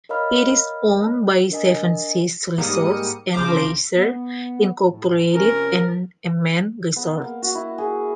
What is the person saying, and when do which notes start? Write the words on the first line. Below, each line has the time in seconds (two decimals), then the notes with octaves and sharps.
It is owned by Seven Seas Resorts and Leisure, Incorporated and Aman Resorts.
0.09 A#4 C#5 D#5 F5 B5 F6
1.50 D4 A#4 D#5 G#5
2.58 G#2 G3 A#3 D#6 C#7
3.33 C2 C#3 F3 C5 A#5 D6
3.95 B3
4.87 A2
5.33 C3 F3 C#4 A#4
6.96 B3
7.22 A#3
7.42 F#4
7.55 E4
7.78 G#4